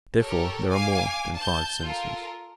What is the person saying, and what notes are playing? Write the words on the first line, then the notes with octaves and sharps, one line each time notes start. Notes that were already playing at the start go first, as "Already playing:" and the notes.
Therefore there are more than five senses.
G4 A4 A#4 C#5
F5 G#5 D6
A5 G6
F4 A4 A#4